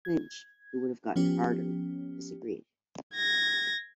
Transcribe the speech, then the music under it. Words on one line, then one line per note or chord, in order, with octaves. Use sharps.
Lynch, who would have gotten "Harder", disagreed.
G#6
F3 B3 C#4 G4
G#6 A#6